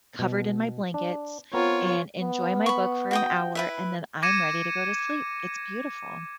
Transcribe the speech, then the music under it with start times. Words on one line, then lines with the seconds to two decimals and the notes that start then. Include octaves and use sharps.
covered in my blankets and enjoy my book for an hour, and then I'm ready to go to sleep, it's beautiful.
0.19 B2
0.94 D4
1.54 B3 C4 F4 A#4 C#5
2.20 B3
2.66 B5 C#6
3.11 F#4 G5 D#6
3.55 E4 B4 E5
4.23 D6 G#6 A#6 C#7 D#7 E7